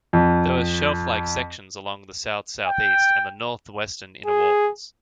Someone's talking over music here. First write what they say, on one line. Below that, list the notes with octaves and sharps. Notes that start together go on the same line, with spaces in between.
There are shelf-like sections along the south-southeast and the northwestern inner walls.
F2
G5
G#4